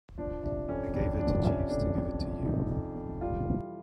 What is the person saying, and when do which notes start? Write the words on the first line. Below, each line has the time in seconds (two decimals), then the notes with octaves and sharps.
I gave it to Jeeves to give it to you.
0.18 F3 D4
0.43 C3 D4
0.68 F2 C#4
0.94 F2 D4
1.18 F3 D4
1.44 C3 C#4
1.69 F2 D4
1.95 F2
2.20 F3
2.45 C3 D#4
2.70 F2
2.95 F2
3.21 G3 F4
3.47 E3